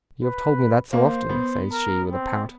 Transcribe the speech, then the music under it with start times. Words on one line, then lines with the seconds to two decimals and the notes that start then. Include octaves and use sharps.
"You have told me that so often," says she, with a pout.
0.23 B4
0.93 A#3 C5
1.29 B3
1.72 A#4
2.12 C4